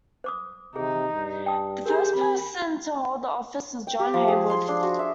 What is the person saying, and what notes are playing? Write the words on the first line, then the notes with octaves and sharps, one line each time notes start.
The first person to hold the office was John Haywood.
C5 D6 D#6
C3 D#4 G#4
G2
G5 A5 D#6
G4 G#4 A#4 C5
C4 B5
G5
G4
F3
G#4
C6
D4
F#4
E5